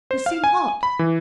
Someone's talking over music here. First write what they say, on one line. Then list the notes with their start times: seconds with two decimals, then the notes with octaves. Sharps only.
"You seem hot."
0.11 C5
0.26 F5
0.44 G#5
0.83 B5
0.99 E3